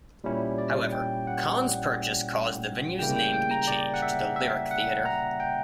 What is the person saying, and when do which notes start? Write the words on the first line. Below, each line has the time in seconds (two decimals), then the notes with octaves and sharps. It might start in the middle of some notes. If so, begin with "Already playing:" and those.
However Kahn's purchase caused the venue's name to be changed to the Lyric Theatre.
0.24 A#2 G3 C#4 E4
0.58 D5
0.92 G5
1.27 F#5
2.99 C#3 G3 A#3 E4 G5
3.16 G5
3.34 G5
3.51 A#5
3.68 D5
3.94 F#5
4.02 E5
4.36 E5
4.71 F#5
5.05 A#5
5.40 G5